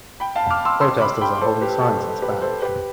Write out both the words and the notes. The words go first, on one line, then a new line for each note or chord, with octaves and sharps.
Protesters are holding signs in Spanish.
G5 B5
F5 A5
D6 F6
C6 E6
C6 E6
B5 D6
G5 B5
A4 C5
G4 B4
A4
A4
G4 B4
A4 C5
G4 B4